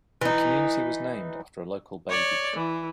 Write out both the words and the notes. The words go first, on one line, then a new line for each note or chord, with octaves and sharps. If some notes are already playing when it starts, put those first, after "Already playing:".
The community was named after a local baby.
E3 D#4
C#5 D5
E3